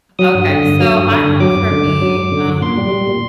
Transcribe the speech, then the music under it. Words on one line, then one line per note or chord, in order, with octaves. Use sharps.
Okay, so I know for me, um,
F#3 D#6
G2
D3
G2
F#3
G2
D3
G2
F#3 D6
F#2
D3
F#2
F#3
F#2
D3
F#2
A#2 C6
G3
G3
A#2